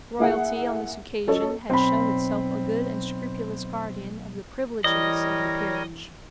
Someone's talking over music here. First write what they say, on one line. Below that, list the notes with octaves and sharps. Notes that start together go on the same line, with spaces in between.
Royalty on this occasion had shown itself a good and scrupulous guardian of the privileges of the peerage.
A#3 E4 G#4 F#5
F#3 C#4 A4 C#5 D#5
B1 C4 B5
E3 G3 A#4 C#5 D#5